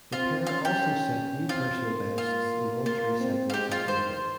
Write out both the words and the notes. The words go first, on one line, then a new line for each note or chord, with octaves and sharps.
The pair also set new personal bests in all three segments at the event.
C4 F4
C#4 F4
G4
C4 F4
A#3
F4
A#3 F4
C4
F4
G#3 G4
F4
D#3 C5